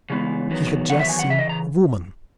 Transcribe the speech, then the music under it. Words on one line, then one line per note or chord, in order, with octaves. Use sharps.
He had just seen Woman.
C#3 E3 G#3 B3
E2 D#3 F#3 B3
E2 D#3 F#3 B3 F#5
E5
G#5
F#5
C#3 E3 E5
D#5
A#5